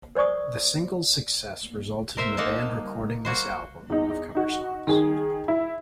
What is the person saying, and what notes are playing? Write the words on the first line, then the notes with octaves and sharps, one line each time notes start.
The single's success resulted in the band recording this album of cover songs.
A#4 C5 D5 C#6 D#6
A#4 C5 E5
A#3 D#4 F#5 A5
A#3 F#4 C5
E2 D#4
D#4 F#4
D#3 G#4
E4